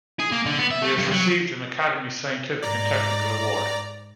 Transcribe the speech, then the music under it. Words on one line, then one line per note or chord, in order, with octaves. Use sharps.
He has received an Academy Scientific and Technical Award.
G#4
A#3
D3
B3
E5
A3
G2
F#3
G#2 D5 A#5